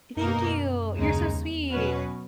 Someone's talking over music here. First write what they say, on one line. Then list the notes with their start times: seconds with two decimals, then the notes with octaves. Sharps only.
Thank you. You're so sweet.
0.17 F#2 B2 A#3 D#4 A#4
0.37 F#2
0.95 D#2 C#3 G#3 D#4
1.33 E2
1.71 B2 F#3 C#4 F#4 B4